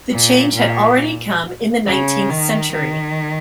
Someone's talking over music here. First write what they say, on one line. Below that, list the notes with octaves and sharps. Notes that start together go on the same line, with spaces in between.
The change had already come in the nineteenth century.
A#2
A#2
C#3
D#3
D#3